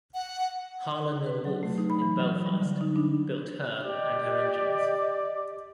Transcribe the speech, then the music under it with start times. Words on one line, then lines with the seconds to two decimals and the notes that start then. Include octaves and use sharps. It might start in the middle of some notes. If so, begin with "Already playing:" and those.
Harland and Wolff in Belfast built her and her engines.
0.14 F#5
1.26 B4
1.45 F#3
1.63 A3
1.78 D#4
1.90 B5
2.02 E3
2.20 F#3
2.46 G3
2.62 D3
2.81 D#4
2.96 D4
3.82 G4 D5 D#5